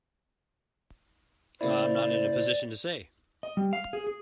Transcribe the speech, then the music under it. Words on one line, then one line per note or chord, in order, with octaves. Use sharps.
I'm not in a position to say.
C#3 A#3 E4 C5 D5
D#5
G3
F5
G#4
G#4